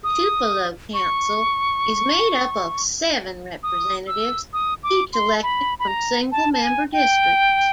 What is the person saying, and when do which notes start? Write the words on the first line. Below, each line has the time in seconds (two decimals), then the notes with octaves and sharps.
The Tupelo Council is made up of seven representatives, each elected from single-member districts.
0.04 D#6
0.94 C#6
3.63 D#6
4.08 E6
4.53 D#6
4.83 D6
5.13 C6
5.43 B5
5.79 B5
5.88 A#5
6.32 A5
6.53 A5
6.63 G#5
6.93 G5